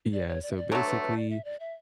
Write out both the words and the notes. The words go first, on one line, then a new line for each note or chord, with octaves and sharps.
Yeah, so, basically,
D5
C#5
D5
E5
D5
D3 F#3 A3 C#5
B4
B4
D5
E5
D5
E5